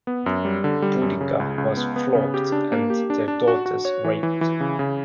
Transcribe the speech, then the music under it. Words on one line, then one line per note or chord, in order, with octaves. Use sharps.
Boudica was flogged and their daughters raped.
B3
F#2
G3
D3
G3
F#2
C#3
C#2
C#2
B3
B3
C#3
G4
D4
A#3
G4
D4
D4
F#4
F#4
C#5
E3
E3
E3
C#3
C#3